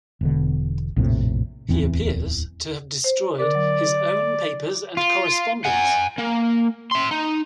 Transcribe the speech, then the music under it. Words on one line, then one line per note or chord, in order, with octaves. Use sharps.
He appears to have destroyed his own papers and correspondence.
E1 B2 D3
A#1 F2 A2 C3
D1 E2 E3 C4
C5
D3 A#4 D5
F#3
F4
F#5 G#5
A#3
E5 C6
D#4